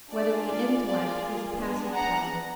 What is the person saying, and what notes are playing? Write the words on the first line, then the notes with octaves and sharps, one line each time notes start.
Whether the Intellect Is a Passive Power?
D4 F4 G#4 D5
D5
A#3 F4 G#4 D5
B3 D4 G#4
F#5 A#5